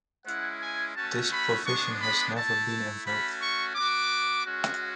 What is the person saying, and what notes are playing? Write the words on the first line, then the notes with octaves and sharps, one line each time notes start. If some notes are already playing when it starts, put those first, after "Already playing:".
This provision has never been invoked.
G#3 C#4 E4 F#5
G#5
A3 C#4 F#4 A5
B5
G#3 B3 D4 C#6
B5
A3 E4 A5
A3 C#4 F#4 B5
C#6
B3 F#4 D6
G#3 C#4 F#4